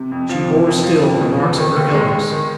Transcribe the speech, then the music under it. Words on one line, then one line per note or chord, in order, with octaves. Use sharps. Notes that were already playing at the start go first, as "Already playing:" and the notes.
She bore still the marks of her illness.
Already playing: C3
F2
F3
C3
F2
F3
C#3
E2
E3
D#3
D#2
G#3
G#3
D#3